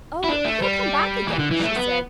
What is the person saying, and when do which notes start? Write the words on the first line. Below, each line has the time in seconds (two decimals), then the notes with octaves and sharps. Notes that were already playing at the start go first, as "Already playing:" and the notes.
"Oh, he'll come back again!" she said.
0.24 E4
0.29 D4
0.45 A3
0.62 G3
1.27 E3
1.39 D3
1.51 E3
1.60 G3
1.63 A3
1.76 B3